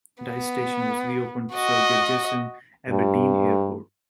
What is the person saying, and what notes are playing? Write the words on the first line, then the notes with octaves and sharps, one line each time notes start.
Dyce station was reopened to serve the adjacent Aberdeen Airport.
B3
F#4 D#5
G2